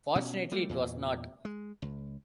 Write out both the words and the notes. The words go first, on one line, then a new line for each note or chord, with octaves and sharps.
Fortunately, it was not.
B2 C#4
G3 A3 A#3
E2 G2 A#2
G#3
C#2